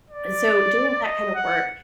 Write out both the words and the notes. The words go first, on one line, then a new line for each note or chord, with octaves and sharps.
so, doing that kinda work
D5
D#5
F#5